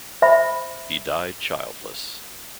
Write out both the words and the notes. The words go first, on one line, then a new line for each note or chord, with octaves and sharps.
He died childless.
C5 E5 B5